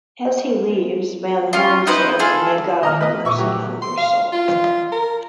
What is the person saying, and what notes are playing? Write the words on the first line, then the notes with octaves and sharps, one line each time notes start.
As he leaves, Van Horn says, May God have mercy on your soul.
C#4 F4
D#4 E4 B4 C5
F4 G#4 A4
D#3 D#5 A#5 F6
A3 B4 D#5
A#2 E5 C#6 D6
F#3 G4
C6
F5
F4
A#4